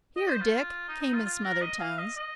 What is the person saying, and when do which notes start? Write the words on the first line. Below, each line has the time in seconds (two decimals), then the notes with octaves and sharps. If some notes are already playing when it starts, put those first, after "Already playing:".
"Here, Dick," came in smothered tones.
0.16 D#5
0.28 C5
0.41 F4
0.89 D#4
1.01 D#4
1.14 F4
1.25 F4
1.44 A#4
1.61 D#5
1.80 F5
1.99 D#5
2.17 D#5